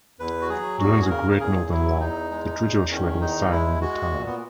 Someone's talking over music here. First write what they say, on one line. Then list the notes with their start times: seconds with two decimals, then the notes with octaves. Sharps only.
During the Great Northern War, the Treaty of Schwedt was signed in the town.
0.19 E2 B4
0.42 F#4
0.49 F#3 G#4
0.80 E2 F#4
1.02 G#4
1.10 C#3 A#4
1.31 A#4
1.40 E2 G#4
1.70 F#3 E4
2.00 E2 D#4
2.31 G#3
2.46 D#4
2.61 E2
2.91 D#3 C#4
3.21 E2 D#4
3.52 G#3 E4
3.81 G#3 F#4
4.12 A#2
4.27 B3